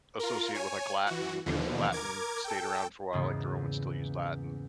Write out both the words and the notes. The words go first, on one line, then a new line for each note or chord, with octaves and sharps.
associate with, like, Latin, 'cause Latin stayed around for a while, like, the Romans still use Latin.
F4 A#4
C#5 G#5
E3 F#4
D#2 B2 D3 E3 F3
A#4 D6 G#6
A4 G5
E2 G#2 C#3 A#3 B3